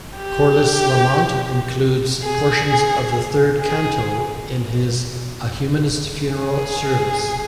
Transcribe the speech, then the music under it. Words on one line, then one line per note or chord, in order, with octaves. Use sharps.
Corliss Lamont includes portions of the third canto in his "A Humanist Funeral Service".
G4
G#4
G#4
G#4